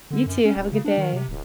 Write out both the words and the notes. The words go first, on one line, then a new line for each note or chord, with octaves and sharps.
You too, have a good day.
D3
F#2
C#4
D1
C#3
D4
D#3
C3
D1